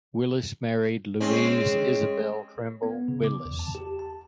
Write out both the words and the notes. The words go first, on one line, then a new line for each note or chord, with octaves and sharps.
Willis married Louise Isabel Trimble Willis.
G#3 C4 C#4
B3
C#3
D6
E2
A5
G4
A5